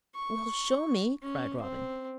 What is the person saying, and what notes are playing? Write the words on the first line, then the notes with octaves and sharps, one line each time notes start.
"Well, show me," cried Robin.
C#6
C#4
C4